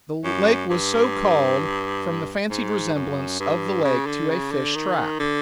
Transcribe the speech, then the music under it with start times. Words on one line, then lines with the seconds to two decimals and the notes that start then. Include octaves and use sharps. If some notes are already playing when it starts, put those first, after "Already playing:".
The lake was so called from the fancied resemblance of the lake to a fish trap.
0.25 F#2
0.70 G2
2.50 G#2
2.95 F#2
3.40 G2
3.84 C#3
4.07 D3
4.30 C#3
4.52 D3
4.75 D#3
5.19 D3